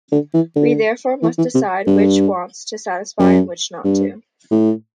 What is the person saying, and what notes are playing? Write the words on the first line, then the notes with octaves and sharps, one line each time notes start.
We therefore must decide which wants to satisfy and which not to.
D3
E3
D3
E3
E3
C3
G2
F#2
G2
A2